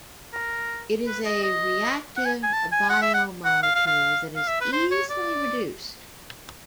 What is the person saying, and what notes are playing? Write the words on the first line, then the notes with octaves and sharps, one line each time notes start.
It is a reactive biomolecule that is easily reduced.
A#4
B4
D#5
D#5
F#5
G#5
G#5
A5
G#5
F#5
E5
F#5
F#5
F5
F5
F5
F5
E5
B4
C5
C#5
D5